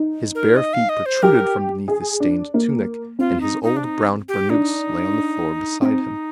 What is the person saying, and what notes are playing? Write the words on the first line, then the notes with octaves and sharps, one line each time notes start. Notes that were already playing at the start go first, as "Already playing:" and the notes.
His bare feet protruded from beneath His stained tunic, and His old brown burnous lay on the floor beside Him....
Already playing: D#4
A#4
D#5
F5
D#5
C5
G4 A#4
G#4
D4
A#3
C4 F4
D#4
D#4
D4
D#4
G4
D4 D#4
C4 D#4 F4